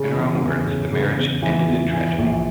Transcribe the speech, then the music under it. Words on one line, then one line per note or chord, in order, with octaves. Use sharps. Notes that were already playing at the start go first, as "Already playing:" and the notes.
In her own words, the marriage 'ended in tragedy'.
Already playing: C#3
E3
E2
C#3
C#3
E2
E3
E2
E3
A#1